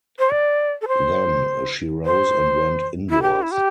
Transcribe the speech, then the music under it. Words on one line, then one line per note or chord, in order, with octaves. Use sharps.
Then she rose and went indoors.
C5
D5
A4
C5
C5
E4
G4
E4
G4